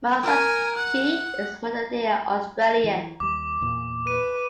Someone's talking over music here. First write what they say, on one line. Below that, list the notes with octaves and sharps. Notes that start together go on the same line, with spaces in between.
Malceski is a Macedonian Australian.
A#4 G#5
F#5
E3
D#2 G3 D6
E2 A#2
B4 D#7